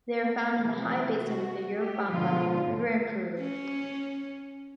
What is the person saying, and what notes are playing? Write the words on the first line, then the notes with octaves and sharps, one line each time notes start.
They are found in the high basin of Urubamba River, in Peru.
A3 B3
C3 E3 F3
F#4
G4
G#2 B2 D3 F3 F4
C#4